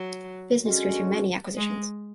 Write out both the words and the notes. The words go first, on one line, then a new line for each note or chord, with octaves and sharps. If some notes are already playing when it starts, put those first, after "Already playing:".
Business grew through many acquisitions.
Already playing: F#3
D3 G#3 C#4 F#4
G#3